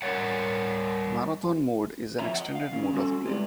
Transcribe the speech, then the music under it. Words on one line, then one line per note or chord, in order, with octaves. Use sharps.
Marathon Mode is an extended mode of play.
G3 A#4 C#5 F#5
F2 E3 F3 C#5 E5 A#5
D#5 F#5
F5
D#3 C#4
G3 C4 C#4 F#4 G4 A4
G3 G#3 E4 G4 B4 D5